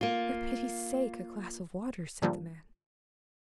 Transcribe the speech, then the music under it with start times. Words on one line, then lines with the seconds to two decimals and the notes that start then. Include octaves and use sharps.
"For pity's sake, a glass of water," said the man.
0.01 A#3 F4
2.22 G#2 D3 F3 G3 A#3